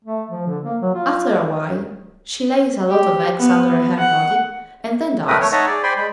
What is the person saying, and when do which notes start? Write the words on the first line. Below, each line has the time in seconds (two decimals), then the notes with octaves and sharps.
After a while she lays a lot of eggs under her body, and then dies.
0.04 A3
0.30 F3
0.47 D3
0.64 A#3
0.82 F#3
0.94 F4
2.90 G4
3.38 B3
3.99 F#5
5.28 A3 C4 A#4 B4 D#6
5.40 A3 C#5
5.52 D#4 C#5 D#5 E5 F#5 A5
5.67 G#4 D5
5.83 C5 D5 G5 G#5 B5 C6
5.97 G#3 B5